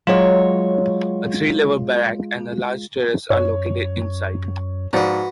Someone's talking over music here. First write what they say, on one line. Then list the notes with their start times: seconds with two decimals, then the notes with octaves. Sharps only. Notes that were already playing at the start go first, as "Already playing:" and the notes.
A three level barrack and a large terrace are located inside.
0.07 F#3 G#3 F4 C#5
3.30 F#2 C#5
4.93 G#2 F3 F#4 B4 D5